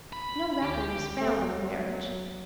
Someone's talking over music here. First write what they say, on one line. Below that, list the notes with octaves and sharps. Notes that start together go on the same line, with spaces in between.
No record is found of the marriage.
B5
D2 G4
A3
F#3